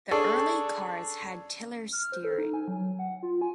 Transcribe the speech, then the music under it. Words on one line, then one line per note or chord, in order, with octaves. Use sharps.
The early cars had tiller steering.
D4 G#4 A4 C#5 D5
F6
C5
A4
D#4
G#5
F#3
F#5
F4
G#5